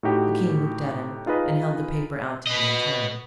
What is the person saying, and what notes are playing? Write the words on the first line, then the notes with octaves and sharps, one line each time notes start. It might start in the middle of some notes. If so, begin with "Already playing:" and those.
The king looked at him, and held the paper out to him, in turn.
A2 D#4 F#4 G4
D#4 F4 G#4 B4 D#5
B4 D#5